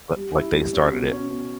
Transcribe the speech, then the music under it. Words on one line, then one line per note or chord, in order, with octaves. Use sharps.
But, like, they started it.
G3
E4
G3
C#4
B2
C#4
B2